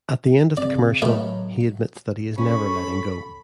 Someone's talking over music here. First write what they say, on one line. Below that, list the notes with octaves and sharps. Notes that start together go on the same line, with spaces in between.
At the end of the commercial, he admits that he is never letting go.
G1 C#3 C4 D5
A2 D#3 F#3 A3 B3
C#4 A4 B5 C#6